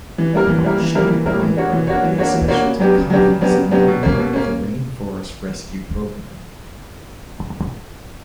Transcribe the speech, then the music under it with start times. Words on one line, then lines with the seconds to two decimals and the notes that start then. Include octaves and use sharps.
Shade-grown Arbor Day Specialty Coffee is another part of the Rain Forest Rescue program.
0.18 E3
0.33 G3 A#3 E4 A#4
0.48 E3
0.65 G3 A#3 E4 A#4
0.80 E3
0.95 G3 A#3 E4 A#4
1.10 E3
1.26 G3 A#3 E4 A#4
1.42 E3
1.57 A#3 D4 F#4 C#5
1.72 E3
1.87 A#3 D4 F#4 C#5
2.03 E3
2.18 A#3 D4 F#4 C#5
2.34 E3
2.48 A#3 D4 F#4 C#5
2.64 C#3
2.80 F#3 B3 D4 G4
2.95 C#3
3.10 F#3 B3 D4 G4
3.26 C#3
3.41 F#3 B3 D4 G4
3.56 C#3
3.71 F#3 B3 D4 G4
3.87 B2
4.03 A#3 C#4
4.18 B2
4.33 A#3 C#4